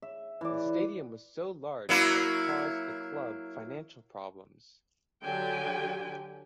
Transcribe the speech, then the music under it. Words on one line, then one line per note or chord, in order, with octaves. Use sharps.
The stadium was so large that it caused the club financial problems.
E5
E3 D5
F#3 A#3 E4
D3 F#3 G4 G5 G#5